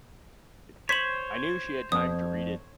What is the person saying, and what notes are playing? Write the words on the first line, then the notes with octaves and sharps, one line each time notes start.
I knew she had time to read it.
C5 C#5 B6 F#7
F2 D#6